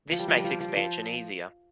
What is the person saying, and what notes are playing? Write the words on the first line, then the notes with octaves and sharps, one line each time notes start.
This makes expansion easier.
F3
G3
F3
G3
F3
G3
F3
G3
F3